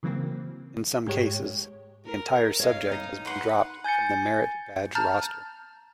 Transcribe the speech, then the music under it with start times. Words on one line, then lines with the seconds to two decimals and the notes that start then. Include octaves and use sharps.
In some cases, the entire subject has been dropped from the merit badge roster.
0.03 C#3 E3 F#3 A#3 C4
1.07 G#2 G#3 G4 C#5
2.05 A#4
2.59 C#5 D#5 F5
2.92 D#4
3.25 B4 F#5 C6
3.84 G#5 G6 A6 C#7
4.95 A5 A#5 F6 G6 A6